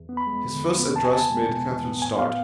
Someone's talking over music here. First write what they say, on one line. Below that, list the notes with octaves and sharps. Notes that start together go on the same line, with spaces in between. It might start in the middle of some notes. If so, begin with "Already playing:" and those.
His first address made Catherine start.
Already playing: E2
B3
B5
G#3
D3
E2
B3
E2 A5
G#5
B3 A5
G#3
B2
E2
B3
A2 G#5
B3 F5